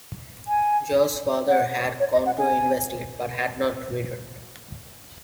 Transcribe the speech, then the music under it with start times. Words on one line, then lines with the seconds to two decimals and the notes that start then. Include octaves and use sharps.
Jo's father had gone to investigate but had not returned.
0.48 G#5
1.49 F#5
2.00 C#5
2.13 D#5
2.26 F#5
2.38 G#5